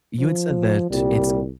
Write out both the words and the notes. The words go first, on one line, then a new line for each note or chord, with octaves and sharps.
you had said that it's
F3
C2 A#2 G3